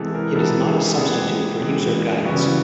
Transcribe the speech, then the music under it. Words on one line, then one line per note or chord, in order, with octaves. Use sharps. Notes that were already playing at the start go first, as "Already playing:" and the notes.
It is not a substitute for user guides.
Already playing: C3 E3 G#3 B3 G#4 A4
A#4
C3 E3 G#3 B3 A4
G#4
G4
C3 E3 G#3 B3 G#4
G#4
C3 E3 G#3 B3
C#3 E3 G3 B3 F#4